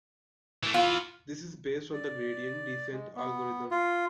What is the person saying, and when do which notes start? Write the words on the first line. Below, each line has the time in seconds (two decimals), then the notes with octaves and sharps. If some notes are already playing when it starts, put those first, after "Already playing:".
This is based on the gradient descent algorithm.
0.63 E3 A3
0.74 E3 B3 F4
1.93 D5
2.92 G#3
3.16 B3
3.71 F4